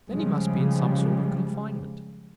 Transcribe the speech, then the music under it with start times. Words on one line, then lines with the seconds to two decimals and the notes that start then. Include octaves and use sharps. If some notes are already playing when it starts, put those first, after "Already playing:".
Then he must be in some sort of confinement.
0.11 C#3 F3 G3 G#3